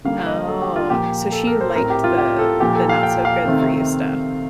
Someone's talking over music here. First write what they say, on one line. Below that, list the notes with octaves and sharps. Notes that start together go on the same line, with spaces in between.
Oh, so she liked the the not-so-good-for-you stuff.
D3 G3 A#3 F5
D#5
A4
G4
F4
A#2 F3 A#3 G4
A4
A#4
C5
A2 A3 C4 A#4
G4
F4
G4
A4
A#2 F3 A#3 G4
A4
F5
G5
F5
C3 D#3 A3 C4